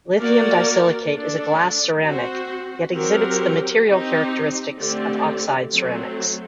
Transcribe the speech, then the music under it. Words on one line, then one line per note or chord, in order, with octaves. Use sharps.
Lithium disilicate is a glass ceramic, yet exhibits the material characteristics of oxide ceramics.
A#3 F#4 A#4 D5
A3 D4 A4 D5
C4 F#4 C5
F#3 C4 G4 A#4
C4 D#4 G4
D3 A3 C4 G4 D5
F#3 A3 C4